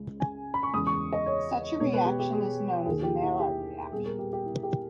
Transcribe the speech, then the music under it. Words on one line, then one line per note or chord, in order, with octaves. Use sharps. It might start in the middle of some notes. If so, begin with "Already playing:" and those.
Such a reaction is known as Maillard reaction.
Already playing: C#2 C#3 G#3
G#5
B5
C#6
E2 C#3 G#3 D#6
C#6
D#5
C#5
B2 G#3 B3 C#5
B4
G4
G4
G#4
D#2 D#3 A#3 G#4
G4
E4
G4
A#2 G3 B3 G#4
A#4
G4
G4
E4
G4